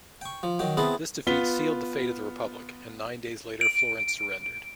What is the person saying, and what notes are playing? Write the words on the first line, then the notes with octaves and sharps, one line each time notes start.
This defeat sealed the fate of the Republic, and nine days later Florence surrendered.
G5 C#6
F3
D#3 F#3 G5
B3 C4 E4 G#4 A5
B3 F4 B6 G7
D7